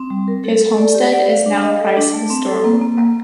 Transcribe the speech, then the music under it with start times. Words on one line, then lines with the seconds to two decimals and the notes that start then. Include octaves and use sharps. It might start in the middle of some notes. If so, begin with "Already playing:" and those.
His homestead is now Price Historical Park.
Already playing: C4
0.10 G3
0.28 A#4
0.44 A4
0.61 A4
0.78 D5
0.95 G4
1.12 D5
1.29 F5
1.46 D4
1.63 D#5
1.80 A4
1.97 D4
2.14 A3
2.30 C4
2.48 A4
2.64 A#3
2.82 A#3
2.98 A#3